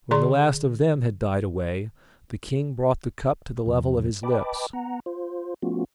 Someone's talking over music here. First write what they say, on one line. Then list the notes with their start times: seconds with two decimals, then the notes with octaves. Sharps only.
When the last of them had died away, the king brought the cup to the level of his lips.
0.11 D3 G#4 D5 A#5 C6
3.66 E2 C3 F3
4.23 B4 D#5 G5 A5 B5 D6
4.73 B3 F#5 A#5
5.06 F4 C5
5.62 F3 A3 B3 C#4 F4 F#4